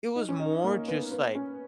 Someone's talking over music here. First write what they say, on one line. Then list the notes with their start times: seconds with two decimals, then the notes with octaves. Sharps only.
it was more just, like,
0.16 D#4
0.29 C#4
0.40 D#4
0.64 A#3
0.88 B3
1.12 B3
1.35 C#4